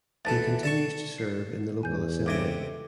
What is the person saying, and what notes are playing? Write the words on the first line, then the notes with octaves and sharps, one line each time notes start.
He continues to serve in the local assembly.
D2 E3 A4 A5 A6
A4 D5 A5 C#6
C7
E2 G#5 G6
C#2 C3 A4 G5 D6 G#6